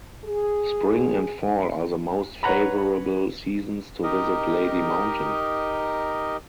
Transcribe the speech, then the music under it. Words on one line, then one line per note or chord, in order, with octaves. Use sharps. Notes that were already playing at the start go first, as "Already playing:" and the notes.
Spring and fall are the most favorable seasons to visit Lady Mountain.
G#4
B4 C#5 F#5 A#5 B5
D#4 G4 A#4 D#5